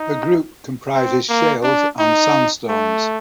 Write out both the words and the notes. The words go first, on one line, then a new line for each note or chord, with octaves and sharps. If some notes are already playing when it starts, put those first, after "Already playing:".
The group comprises shales and sandstones.
Already playing: D#4
C4
A#3
D4
D#4
A3